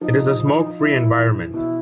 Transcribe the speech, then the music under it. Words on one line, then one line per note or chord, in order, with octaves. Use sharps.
It is a smoke-free environment.
F3 D#4
D#4
E4
E3
B2 E4